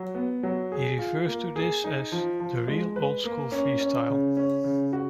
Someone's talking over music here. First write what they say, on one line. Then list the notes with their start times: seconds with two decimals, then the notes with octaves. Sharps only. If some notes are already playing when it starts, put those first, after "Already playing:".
He refers to this as "the real old-school freestyle".
Already playing: F#3
0.15 B3
0.43 F#3
0.72 G#4
0.99 F4
1.28 A#3
1.56 G#4
1.84 D#4
2.12 F3
2.40 F3
2.68 G#3
2.96 B4
3.24 A#3
3.52 C#4
3.80 C#4
4.09 C#3
4.37 C#4
4.64 C#3
4.93 F#4